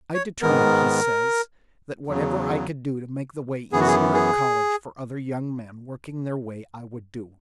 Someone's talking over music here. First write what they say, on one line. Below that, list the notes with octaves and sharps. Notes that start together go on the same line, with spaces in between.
"I determined," he says, "that whatever I could do to make the way easier at college for other young men working their way I would do."
C#5
G#2 D#3 G#3 B3 A#4
E2 C#3 F#3
F#2 E3 B3 G#4
F#4
G#4
G#4